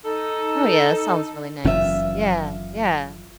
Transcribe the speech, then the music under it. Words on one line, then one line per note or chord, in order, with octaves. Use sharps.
Oh, yeah, that sounds really nice. Yeah, yeah.
D#4 A4
F#1 E3 C#4 F4 E5